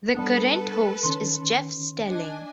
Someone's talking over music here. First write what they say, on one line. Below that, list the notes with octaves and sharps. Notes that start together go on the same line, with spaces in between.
The current host is Jeff Stelling.
G3 B3 D4 A4 B4
D3 D#3 C#4 C6
D4 D#5 G#5